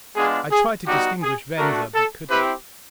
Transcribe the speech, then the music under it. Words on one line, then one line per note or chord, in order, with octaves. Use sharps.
I tried to distinguish Venza, but could not.
G#3 B3 D4 F4 G#4
G#4
G3 B3 D#4 F#4 G4
G#4
A3 D4 F#4 A#4
A4
C4 E4 G4 B4